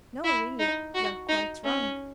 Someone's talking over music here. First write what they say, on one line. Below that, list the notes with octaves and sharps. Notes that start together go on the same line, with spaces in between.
'No; really you are quite wrong.
E4
D#4
F#4
D#4
C#4